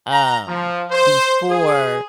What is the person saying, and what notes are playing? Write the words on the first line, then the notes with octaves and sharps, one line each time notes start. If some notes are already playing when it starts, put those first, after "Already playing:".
Um, before
A#5
F3
C5
G#4